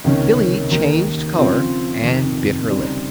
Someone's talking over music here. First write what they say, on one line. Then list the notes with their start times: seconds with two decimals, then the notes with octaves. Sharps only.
Billy changed color and bit her lip.
0.04 C#2 C3 D#3 A#3 C#4
0.71 D#2 D#3 A#3 D#4
1.37 C#3 F3 C4 F4
2.04 F2 C3 D#3
2.69 C#3 G3 C4 D#4